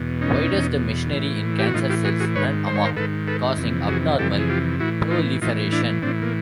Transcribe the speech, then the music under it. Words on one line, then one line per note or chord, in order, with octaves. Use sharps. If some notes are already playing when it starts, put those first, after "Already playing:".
Why does the machinery in cancer cells run amok, causing abnormal proliferation?
Already playing: E2 B2
C#4 D#4
E2 B2
A2 E3
G4
F#4
A2 E3 D#4 F4
F4 G4
F#4 G#4
F#4 G#4
G#2 D#3 B4 C#5
C5
C#5
A#4 C5
G#2 D#3 A4 B4
A4 B4
F2 C3 E3
F#4 G#4
F2 C3 E3 G4 A4
G#4
F4 G4
A2 E3 E4 F#4
D#4 F4
A2 E3 D#4 F4
D4 E4
A2 E3 C4 D4
A#3